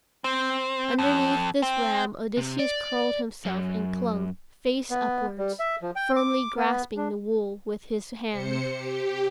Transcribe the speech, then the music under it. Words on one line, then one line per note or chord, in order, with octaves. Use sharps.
Underneath this ram Odysseus curled himself, and clung, face upwards, firmly grasping the wool with his hands.
C4
F2
C4
C3
D5
F#2
B3
G3
E5
F3
G5
D6
B3
D4
C3 C5 C#7
G4